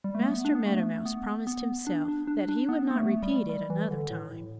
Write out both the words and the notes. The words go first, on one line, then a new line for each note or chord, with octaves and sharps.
Master Meadow Mouse promised himself that he would not repeat it another time.
G3
A3
B3
D4
B3
A3
B3
B3
D4
D4
D4
D4
B3
B3
A3
G3
G3
E3
D3
A2
A2